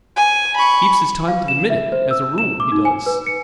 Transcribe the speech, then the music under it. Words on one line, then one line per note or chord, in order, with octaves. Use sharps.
"Keeps his time to the minute, as a rule, he does."
G#5
B5 C#6
F5
E7
E5
C5
E6
E7
D6
D#4
G#5
B4
C#7